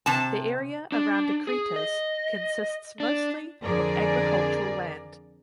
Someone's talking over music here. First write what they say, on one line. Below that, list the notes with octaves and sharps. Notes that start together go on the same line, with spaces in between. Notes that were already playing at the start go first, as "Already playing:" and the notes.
The area around Akritas consists mostly of agricultural land.
C3 A5
D4
G#4
D#5
D4
F2 D3 G#4 A#4 D5